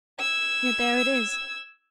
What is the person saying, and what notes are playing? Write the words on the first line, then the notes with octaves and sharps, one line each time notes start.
Yet there it is.'
E6 G#6